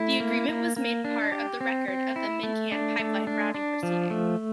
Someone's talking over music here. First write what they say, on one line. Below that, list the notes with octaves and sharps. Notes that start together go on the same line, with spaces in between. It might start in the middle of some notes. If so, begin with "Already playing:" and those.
This agreement was made part of the record of the MinnCan pipeline routing proceeding.
Already playing: A3 E4
A#3
A#3
A#3
D4
G4
C4
C4
E4
A3
D4
A3
D4
D4
F3
A3